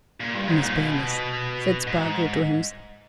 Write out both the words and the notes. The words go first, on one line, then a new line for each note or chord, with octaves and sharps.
"Miss Baylis," said Spargo to himself.
A#2
G2
G#2
A#2
B2
G#2